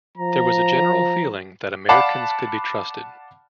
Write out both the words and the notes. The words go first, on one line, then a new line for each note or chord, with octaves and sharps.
There was a general feeling that Americans could be trusted.
F3 A#5
D5 F5 F#5 A5 B5 D6